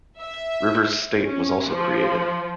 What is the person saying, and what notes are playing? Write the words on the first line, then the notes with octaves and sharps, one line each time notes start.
Rivers State was also created.
E5
C#4
F3